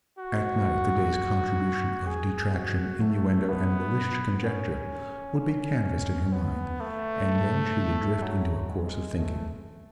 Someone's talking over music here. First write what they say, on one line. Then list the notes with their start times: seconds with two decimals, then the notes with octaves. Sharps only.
At night the day's contribution of detraction, innuendo and malicious conjecture would be canvassed in her mind, and then she would drift into a course of thinking.
0.18 F#4
2.07 G#4
2.55 F#4
3.02 A3
3.49 B3
4.44 C#4
5.39 C#4
6.33 B3
6.81 A3
8.23 F#3
8.70 G#3
9.18 A3